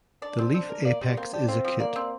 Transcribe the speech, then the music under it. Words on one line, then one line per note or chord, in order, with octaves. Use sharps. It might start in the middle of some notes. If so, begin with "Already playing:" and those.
The leaf apex is acute.
D4 D5
C4
C4 D4
A#4
A#3 D5
G3 C4
A#3 C4
D4 G4
C4 F4
F3
A#3 D5
C4